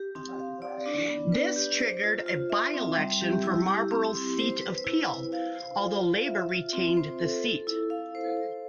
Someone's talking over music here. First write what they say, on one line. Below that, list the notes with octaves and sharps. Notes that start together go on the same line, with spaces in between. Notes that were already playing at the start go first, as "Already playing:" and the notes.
This triggered a by-election for Marlborough's seat of Peel, although Labor retained the seat.
Already playing: G4
C4
F5
D5
D4
B3
B4
G4
C5
F4
F4
E5
C4
G3
G4
E4
G4
C4
C4
C5
B4
E4
E4
F5
C5
F4
F4
E5
F4
C4
C5
A4
A4
E4
F5
C5
A4